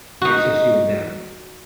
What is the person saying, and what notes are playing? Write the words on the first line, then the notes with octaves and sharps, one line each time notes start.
it's just you and them,
D#4 F#4